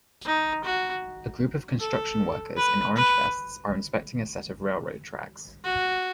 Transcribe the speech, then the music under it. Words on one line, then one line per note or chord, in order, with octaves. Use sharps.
A group of construction workers in orange vests are inspecting a set of railroad tracks.
D#4
F#4
A4
B4
B4
F#4